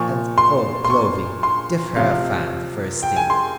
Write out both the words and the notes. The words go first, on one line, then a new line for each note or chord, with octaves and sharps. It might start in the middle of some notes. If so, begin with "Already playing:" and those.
And, oh, Clovy! give her a fan the first thing.
Already playing: A#2 F3 C#6
C6
C6
C#6
C6
C3 F3 F5
G5
G#5
C6